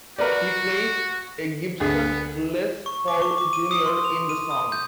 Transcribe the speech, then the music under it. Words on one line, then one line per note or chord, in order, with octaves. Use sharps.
He plays a Gibson Les Paul Junior in the song.
F#4 A#4 B4 D5
D2 D3 B3 G#4
C#6
D6
C#6
D6
D#7
D#6
C6
F7
D#7
D#6
G6